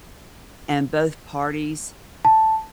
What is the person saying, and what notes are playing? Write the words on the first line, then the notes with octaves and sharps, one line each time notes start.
and both parties
A5